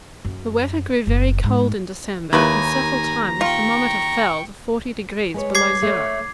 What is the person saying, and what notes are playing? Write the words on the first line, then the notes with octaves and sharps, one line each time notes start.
The weather grew very cold in December, and several times the thermometer fell to forty degrees below zero.
F#2
F#1
G#2
D#2 A#3 E4 B4 G#5 A#5
F4 G5 C#6
G#3 B4 C#5
D6 G#6 C7
A3 C#5